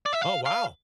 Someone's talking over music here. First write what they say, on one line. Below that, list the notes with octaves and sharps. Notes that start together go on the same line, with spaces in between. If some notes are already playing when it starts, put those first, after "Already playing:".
Oh, wow.
D5
E5
F5
F5